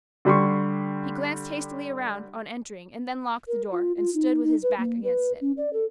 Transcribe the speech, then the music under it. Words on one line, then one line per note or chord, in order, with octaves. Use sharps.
He glanced hastily around on entering and then locked the door and stood with his back against it.
D3 G3 C6 C#6
A#4
F4
F4
D#4
D#4
B4
A#3
B4
C#4
D5
A4